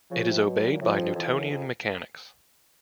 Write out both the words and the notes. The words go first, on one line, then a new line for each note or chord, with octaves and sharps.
It is obeyed by Newtonian mechanics.
C#3 F3
C3
B2 F#3
A#2
A2 F3
F2
F2 E3
F#2
F2